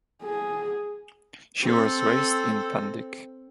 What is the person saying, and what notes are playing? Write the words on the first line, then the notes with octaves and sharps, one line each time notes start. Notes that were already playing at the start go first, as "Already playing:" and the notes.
She was raised in Pendik.
G#4
C4 A4